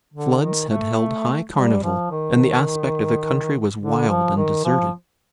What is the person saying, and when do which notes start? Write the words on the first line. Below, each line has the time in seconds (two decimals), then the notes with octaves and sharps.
Floods had held high carnival, and the aspect of the country was wild and deserted.
0.14 D3
0.42 D#3
0.70 A3
1.54 G3
1.83 F3
2.11 D#3
3.80 D3
4.08 F3
4.37 D#3
4.65 F3